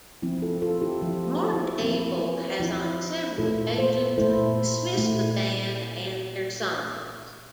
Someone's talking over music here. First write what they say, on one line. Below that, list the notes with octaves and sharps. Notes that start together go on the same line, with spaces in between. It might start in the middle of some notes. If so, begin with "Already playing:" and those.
Morten Abel has on several occasions dismissed the band and their songs.
F3 C4 E4
F4 A4
F4 A4
E4 G4
F3 C4 E4 F4
F4
E4
F3 C4 E4
F3 C4 E4 F4
A#2 A3 E4 F4 A4
A4 C5
A#2 A3 E4 A4 C5
A#2 A3 E4